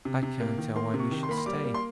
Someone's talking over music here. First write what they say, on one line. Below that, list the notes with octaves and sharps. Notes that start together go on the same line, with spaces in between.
'I can't tell why we should stay.
C3
C3
A#3
D#3
A#3 C6
C3
C#6
D#3
C6
A#3 B5
C6
G3 D6
A#3
C6